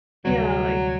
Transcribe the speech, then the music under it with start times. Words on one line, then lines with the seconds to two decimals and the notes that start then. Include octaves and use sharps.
yeah, like
0.25 D2 C3 F#3 G3